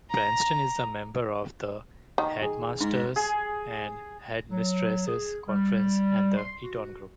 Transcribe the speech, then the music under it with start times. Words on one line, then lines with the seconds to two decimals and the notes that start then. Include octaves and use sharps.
Bryanston is a member of the Headmasters' and Headmistresses' Conference and the Eton Group.
0.10 A#5
2.18 D#3
2.42 G#4
2.80 G#2
3.16 G#4
4.51 F#3
5.07 G#4
5.48 G3
6.36 C6
6.63 F#4